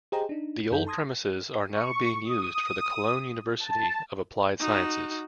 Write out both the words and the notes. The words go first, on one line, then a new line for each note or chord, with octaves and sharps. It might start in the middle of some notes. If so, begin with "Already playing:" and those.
The old premises are now being used for the Cologne University of Applied Sciences.
G4 G#4 C5 D#5 G5 A#5
D4 D#4
F#2 D#4 A4 G6
A5 C6 D#6 G#6 A#6
C#6
D#6
A5
D#4 F#4